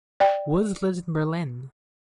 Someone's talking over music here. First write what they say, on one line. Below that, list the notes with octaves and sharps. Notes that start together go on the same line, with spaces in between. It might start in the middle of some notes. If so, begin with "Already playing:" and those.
Woods lives in Berlin.
D5 G5